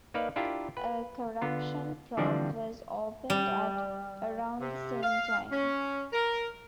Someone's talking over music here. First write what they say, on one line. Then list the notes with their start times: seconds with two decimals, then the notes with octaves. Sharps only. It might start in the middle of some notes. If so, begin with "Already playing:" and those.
A corruption probe was opened at around the same time.
0.14 A#3 D#4 B4 D5 F5
0.36 D4 E4 F4 G4 A#4 E5
0.77 B4
1.42 D3 B3 F4
2.17 D3 E3 F3 G3 C4 D4
3.30 G3
4.60 C3
5.02 F5
5.51 C#4
6.13 A#4